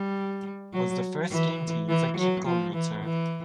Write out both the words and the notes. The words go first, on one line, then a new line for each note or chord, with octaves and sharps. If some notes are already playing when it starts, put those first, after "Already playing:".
Was the first game to use a kickometer.
Already playing: G3
F#3
E3
E3
F#3
F3
E3
E3